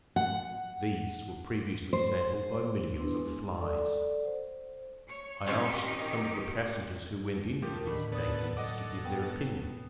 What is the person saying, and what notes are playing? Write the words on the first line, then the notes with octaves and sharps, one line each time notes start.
These were previously sampled by millions of flies. I asked some of the passengers who went in for these dainties to give their opinion.
F#5
C5
B3 D4 E4 G4 B4 C6
G#3
A4 D5 F#5
C5
C#5
D#3 C4 C#4 D#4 F4 G4
F3 A3 G4 A#4
A2 D3 D#3 B5
B2 B3 A4 D5 D#6
F#3 A4 D#5 F#5 D6
B3 G5